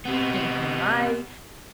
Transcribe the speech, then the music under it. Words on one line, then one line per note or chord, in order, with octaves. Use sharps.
in my
C3 B3